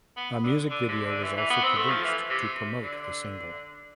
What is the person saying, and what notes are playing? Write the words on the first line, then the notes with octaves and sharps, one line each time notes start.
A music video was also produced to promote the single.
B3
D3
D3
C3
D3
E3
E3
B3
C4
A3
F3
E3
C3
D3